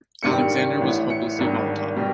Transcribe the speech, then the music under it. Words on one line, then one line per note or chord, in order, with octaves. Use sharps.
Alexander was hopelessly volatile.
G#1 G2 D#3 G3 C#7
A1 A2 E3
C#7
G#1 G2 D#3
B2 G3